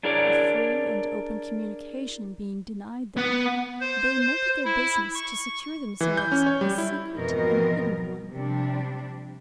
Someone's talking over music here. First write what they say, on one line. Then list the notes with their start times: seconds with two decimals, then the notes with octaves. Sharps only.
A free and open communication being denied them, they make it their business to secure themselves a secret and hidden one.
0.03 D4 E4 G#4 A#4 C#5 D5
3.17 B3
3.81 C5
4.21 C5
4.65 E4
5.15 C#6
6.01 E3
6.17 G6
6.32 C#4
6.46 C#5
6.61 G3
6.78 E4
7.14 F2 G#2 B2 E3 A#4 D#5
8.30 C3 F3 G3 D4